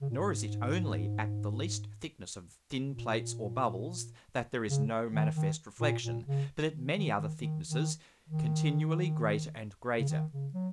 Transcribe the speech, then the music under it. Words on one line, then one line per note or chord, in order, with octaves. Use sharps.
Nor is it only at the least thickness of thin Plates or Bubbles, that there is no manifest Reflexion, but at many other thicknesses continually greater and greater.
C#3
A#2
G#2
A#2
C#3
D#3
D#3
A#2
A#2
C#3
D#3
D#3
D#3
D#3
D#3
D#3
C#3
D#3
C#3
F#3